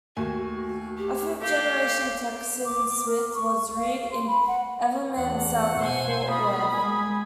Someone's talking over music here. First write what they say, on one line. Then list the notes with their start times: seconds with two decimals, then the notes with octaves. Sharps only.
A fifth-generation Texan, Smith was reared in Everman south of Fort Worth.
0.17 D#2 A3 F#4 G#5
0.98 G4
1.41 G4 A4 F5
2.65 D6
3.06 A#4
3.35 C#6
3.76 F5
4.12 C6
4.27 B5
4.48 F#5
5.17 E2 A3 F#5
5.80 B2 C5 G#5
6.29 A#3 F4 B5 D#6
6.74 G#3 G#5